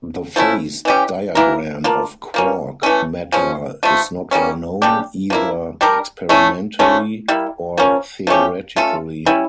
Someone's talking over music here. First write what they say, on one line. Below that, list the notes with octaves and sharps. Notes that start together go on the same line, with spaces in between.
The phase diagram of quark matter is not well known, either experimentally or theoretically.
F3 A3 C#4 E4
E3 G3 C#4 G4
E3 A#3 E4 A#4
A#3 D4 F4
F3 A#3 C#4
E3 A3 C#4
C#3 F3 C#4
D3 F3 A3
C#3 G3 A#3 C#4
C#3 G3 D4 G4
F3 A#3 E4
G3 D4 G4 A#4
A3 C#4 E4
D3 F3 A3 C#4
G3 A#3 E4
F3 A#3 C#4
F3 A3 C#4 G4
A3 C#4 F4 A4
G3 C#4 E4